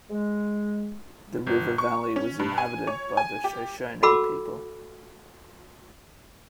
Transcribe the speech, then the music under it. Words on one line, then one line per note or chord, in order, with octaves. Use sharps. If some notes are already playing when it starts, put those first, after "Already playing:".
The river valley was inhabited by the Shoshone people.
G#3
G1
C#6
C#4
G2
G#5
C#5
G#5
G4
F#4 A4 F#5 B5 D6 E6